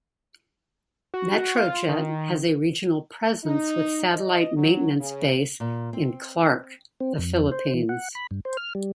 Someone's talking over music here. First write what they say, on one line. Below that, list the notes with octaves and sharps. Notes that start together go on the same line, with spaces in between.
Metrojet has a regional presence with satellite maintenance base in Clark, The Philippines.
F#4
F4
D#3
D#4
D#5
F#3
C#3
A#2
C4
C4
F2
C5
E3
F#5
B5
G2
C5
F6
G3